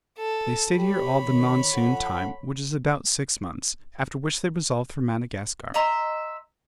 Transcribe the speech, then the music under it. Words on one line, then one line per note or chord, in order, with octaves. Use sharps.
They stayed here all the monsoon time, which is about six months; after which they resolved for Madagascar.
A4
G4 C#5 B5
D#3
F3 A4 F#5
D#5 E5 A#5 C6